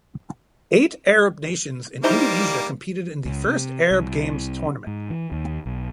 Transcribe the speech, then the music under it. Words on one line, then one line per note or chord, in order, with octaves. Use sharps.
Eight Arab nations and Indonesia competed in the first Arab Games tournament.
G3 A#3 D#4 E4 C5
C#2
C3
C2
G#2
E3
D#2
B1